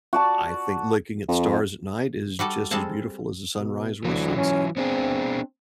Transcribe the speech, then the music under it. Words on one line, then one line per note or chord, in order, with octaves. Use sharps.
I think looking at the stars at night is just as beautiful as a sunrise or a sunset.
F#4 D5 A5
F2
G3 F#4 A4 D5
G3 G#3 C4 A4 A5
B2
D2 E3 F#3
C#4
B3 C4 D4 G#4